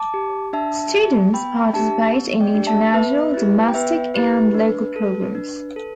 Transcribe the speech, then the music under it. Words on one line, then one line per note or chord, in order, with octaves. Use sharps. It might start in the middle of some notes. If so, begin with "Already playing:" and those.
Students participate in international, domestic, and local programs.
Already playing: A5 D6
G4
D4 E5 A5
G4
B3 G5 B5
D4 G4 E5 A5
B3
D5 G5
D4 G4
E5 A5
B3 B4 E5
E4 G4
G5
B3 B4 E5
E4 G4 B4
D4
A4
D4
A4